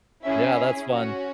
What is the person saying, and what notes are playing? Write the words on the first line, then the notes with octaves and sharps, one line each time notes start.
Yeah, that's fun.
C#4 E4 G#4 E5
E5
C#4 F#4